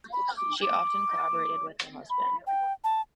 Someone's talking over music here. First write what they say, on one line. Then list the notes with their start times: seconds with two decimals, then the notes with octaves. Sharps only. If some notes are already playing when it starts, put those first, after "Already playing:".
She often collaborated with her husband.
0.13 B5
0.37 D6
0.62 D6
2.10 B5
2.47 G5
2.84 A5